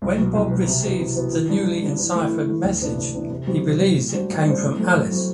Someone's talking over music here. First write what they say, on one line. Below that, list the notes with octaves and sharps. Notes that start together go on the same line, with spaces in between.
When Bob receives the newly enciphered message, he believes it came from Alice.
C2
B2 F#3
C2
B2 F#3
C3
E3 B3 F#4
C3
E3 B3 F#4
E3
G3 D4
E3
G3 D4
E3
A3
E4
E3
A3 E4
D2
C3 E3 B3 D4
D2
C3 E3 B3 D4
C3
F#3 C4 E4 G4
C3
F#3 C4 E4 G4
A2
G3 D4 F#4 C5
A2
G3 D4 F#4 C5
A2
F#3 A3 C4
A2
F#3 A3 C4